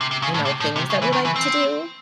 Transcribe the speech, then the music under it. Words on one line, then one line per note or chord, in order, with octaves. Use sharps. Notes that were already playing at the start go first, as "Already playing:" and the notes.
you know, things that we like to do,
C3
C3
C#3
A2
C3
A2
C3
C#3
E3
D#3
E3
C4